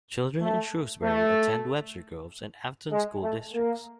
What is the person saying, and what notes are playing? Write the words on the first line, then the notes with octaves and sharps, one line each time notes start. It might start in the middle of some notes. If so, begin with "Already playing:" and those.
Children in Shrewsbury attend Webster Groves and Affton school districts.
A3
A3
G#3
A3
A#3